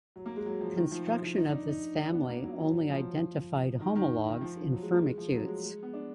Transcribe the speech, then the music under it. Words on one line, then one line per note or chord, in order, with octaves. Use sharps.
Construction of this family only identified homologues in Firmicutes.
F#3
A#3
G#3
F#3
F3
D#3
F3
F3
F3
D#4
D4
D#4
D4
B3
A#3
F#3
F#3
F3
D#3
D#3
D#3
F3
F#3
G#3
A#3
G#3
F3
F#3
G#3
G#3
B3
D4